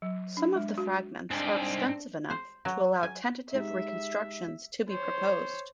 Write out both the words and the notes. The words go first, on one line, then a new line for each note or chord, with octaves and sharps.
Some of the fragments are extensive enough to allow tentative reconstructions to be proposed.
F#3
D4
G#3
F#4
C2 G#2 C4 D4 D#4
C5
F#3
G#5
G#3 D#4 G4 E5
C5 C#5